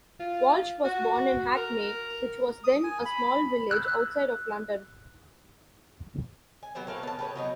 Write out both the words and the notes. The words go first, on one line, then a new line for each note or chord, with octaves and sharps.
Walsh was born in Hackney, which was then a small village outside of London.
F4
F#4
A#4
D#6
G#5
B5
E6 F#6
G#5
F#3 B3 G4 C5
A3 A#3 C#5 F5
B3 A5
G4 B4 C#5
F#3 B3 D#4